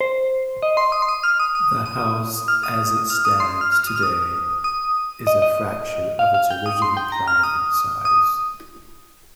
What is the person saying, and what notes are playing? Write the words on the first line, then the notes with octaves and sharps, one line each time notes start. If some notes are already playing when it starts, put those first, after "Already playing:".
The house as it stands today is a fraction of its original planned size.
C5
D#5
C6
D#6
C6
D#6
F6
D#6
D#6
D#6
F6
D#6
F6
D#6
C6
F6
F6
F6
D#6
F6
D#6
D#6
D#5
D#5
F5
F5
G5
D#6
C6
G5
A#5
F6
D#6
D#6